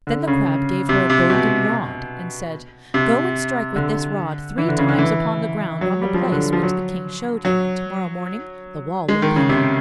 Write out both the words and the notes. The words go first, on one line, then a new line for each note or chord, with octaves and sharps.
Then the Crab gave her a golden rod, and said, 'Go and strike with this rod three times upon the ground on the place which the King showed you, and to-morrow morning the wall will be there.'
D3
C#3
C3
C3
B2
C3
D3
E3
D3
C#3
D3
E3
F#3
G3
F3
F#3
D3
F3
F#3
F#3
G#3
D#3
C#3
C3